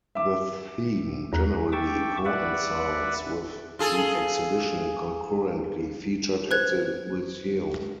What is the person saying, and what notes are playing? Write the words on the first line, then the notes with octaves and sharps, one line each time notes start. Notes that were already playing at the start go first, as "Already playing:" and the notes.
The theme generally coincides with the exhibition concurrently featured at the museum.
E5 D6
E2 A#5 F#6
E5 G5 A5 C#6 D6
B4 D5 E5 F#5
F4 G#4 A4
B4 C5 F#6 G#6